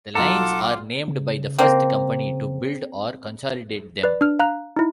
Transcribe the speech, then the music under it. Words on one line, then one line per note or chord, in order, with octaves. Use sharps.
The lines are named by the first company to build or consolidate them.
B1 F4 A4 F#5 A#5 D6
C#3
A#3 C4
B4 D5
D4 F6
F5 A#5 F#6
D#4 E4